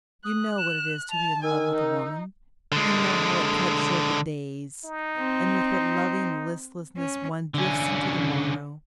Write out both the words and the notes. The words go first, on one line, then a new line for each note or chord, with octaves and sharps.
You know what it is to be in love with a woman, you know how it cuts short the days, and with what loving listlessness one drifts into the morrow.
D#6 F#6
E7
A5 F7
D#3 G#5 E6
D#4
D3 G#3
D#4
C4
C#4
D3 C#4